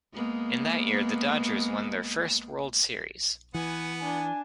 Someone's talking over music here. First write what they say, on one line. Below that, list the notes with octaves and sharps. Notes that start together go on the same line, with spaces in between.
In that year, the Dodgers won their first World Series.
G#3 A#3 B3
E3 B3 F#5 G#5
D4 G#5